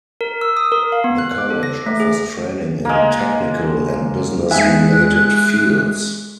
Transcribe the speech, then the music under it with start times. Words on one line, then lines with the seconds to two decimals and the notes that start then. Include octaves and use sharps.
The college offers training in technical and business-related fields.
0.21 A#4
0.41 E6
0.57 D#6
0.72 A#4
0.92 F5
1.04 B3
1.18 F#6
1.38 D6
1.50 A4
1.63 A#6
1.86 A3
2.00 G#4
2.85 G#3 A#3
4.51 G#3 D#4 E5 G#5 F#6